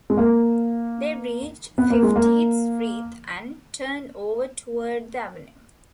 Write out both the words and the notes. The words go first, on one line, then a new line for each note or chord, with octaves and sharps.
They reached Fiftieth Street and turned over toward the Avenue.
G#3
A#3
B3
A#3
G#3
A#3